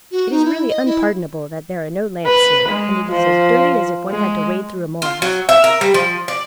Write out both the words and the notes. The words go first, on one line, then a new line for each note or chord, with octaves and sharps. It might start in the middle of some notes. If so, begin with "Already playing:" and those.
"It is really unpardonable that there are no lamps here; and it is as dirty as if one had to wade through a morass."
F#4
D#4
E4
D#5
E4
B4
G#3
F3
G#3
F4
F#3
E5
A#4
G3
F3
D5